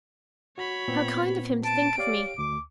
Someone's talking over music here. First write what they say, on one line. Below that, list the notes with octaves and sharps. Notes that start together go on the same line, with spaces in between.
'How kind of him to think of me!
F#4 C#5 B5
A#2 B3 C4
A5 D7
G4 C#5 D5 F5
D2 D6